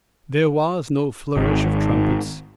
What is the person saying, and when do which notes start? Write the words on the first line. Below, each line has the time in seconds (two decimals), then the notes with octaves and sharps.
There was no flourish of trumpets.
1.37 G#1 D#3